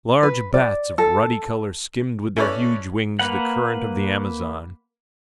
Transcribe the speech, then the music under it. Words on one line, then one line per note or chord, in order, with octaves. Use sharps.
Large bats of ruddy color skimmed with their huge wings the current of the Amazon.
B4
D5
A4
C#4 E4 A4 B4 C#5 D5
A#3 B4 F#5